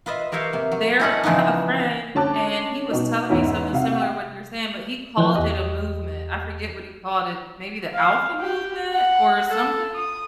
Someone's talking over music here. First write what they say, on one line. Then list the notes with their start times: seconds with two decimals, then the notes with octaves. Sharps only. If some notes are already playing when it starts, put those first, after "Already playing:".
there I have a friend, and he was telling me something similar to what you're saying, but he called it a movement. I forget what he called it. Maybe the alpha movement or something?
0.06 F4 B4 D#5 E5
0.32 G4 A#4 C#5 E5 F5 G5
0.53 C3 A#3
0.72 F#3
0.99 E4 F#4 G#4 A4 D#5 F#5
1.23 C#3 E3 F3 B3 D#4
2.15 D3 C#4 A5 D6 F#6
2.90 B2 D#4
3.29 E2 G#2 C#4 E5
3.73 C3 F5 F#5
4.01 G5
5.17 E3 F3 D5 G5 F#6
5.36 E2 G4 D#5
7.94 F5
8.40 G4
8.93 F#5
9.49 A4
9.94 D#6